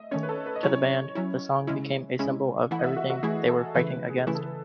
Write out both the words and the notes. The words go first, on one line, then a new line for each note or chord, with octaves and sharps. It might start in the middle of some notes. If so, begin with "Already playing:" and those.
To the band, the song became a symbol of everything they were fighting against.
Already playing: A3 D#5 E5
D#3 A3 C#4 C#5
B4
A4
B4
D#5
F#3 C#4 E4 C#5
F#3 C#4 E4
C#3 G#3 C#4 E4
C#3 G#3 C#4 E4
E3 A3 E4 F#5
D#5
E5
F#4
F#4
E3 A3 E4 G#4
A4
C#3 E3 A3 E4 B4
B4
G#4
C#3 E3 A3 E4 B4
A4
B4